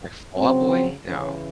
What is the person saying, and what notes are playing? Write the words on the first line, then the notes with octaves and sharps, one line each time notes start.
Like Fallout Boy? No.
C#3 F#3 C4
C#3 E3 C#4